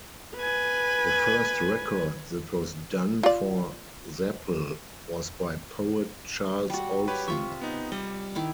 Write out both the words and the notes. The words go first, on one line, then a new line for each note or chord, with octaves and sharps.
The first record that was done for Zapple was by poet Charles Olson.
B4 G#5
F4 D5
G3 F#4
G4 B4 C#5
C3 F4 E5 C#6
B3 D#4
G3 D#5
D#3 E4 D6